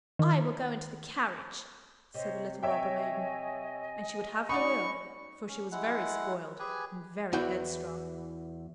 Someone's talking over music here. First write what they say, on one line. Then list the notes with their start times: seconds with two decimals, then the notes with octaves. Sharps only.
"I will go into the carriage," said the little robber maiden; and she would have her will, for she was very spoiled and very headstrong.
0.19 D#3
2.14 C3 C5 C#5 D#5
2.63 C#5 D#5 E5 G5 G#5
4.49 D#4 F#4 D5 B5 C#6
5.48 C#4
5.72 G#3 E4 F#5
6.60 G4 G#4 B4 G#5
7.33 E2 E3 F#4 G5